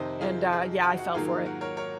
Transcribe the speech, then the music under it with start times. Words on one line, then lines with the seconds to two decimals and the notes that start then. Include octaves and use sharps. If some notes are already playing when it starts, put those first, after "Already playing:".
and, uh, yeah, I fell for it,
Already playing: F2 C3 D#3 C5 D#5
0.21 F4 G#4
0.52 F4 G#4
0.84 F#4
0.99 F#4
1.14 G#2 D#3 F#3 A#3 F4 G#4
1.45 F#4 A#4
1.61 A#4 C#5
1.77 A#4 C#5